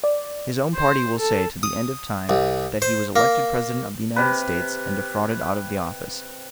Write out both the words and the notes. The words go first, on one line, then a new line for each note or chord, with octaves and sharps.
His own party will say to the end of time that he was elected president of the United States, and defrauded out of the office.
D5
C5
A4
D#6
C2
C5
A#3
C3 B4